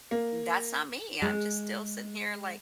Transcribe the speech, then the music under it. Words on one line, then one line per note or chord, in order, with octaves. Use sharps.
that's not me, I'm just still sitting here, like,
A#3
G#3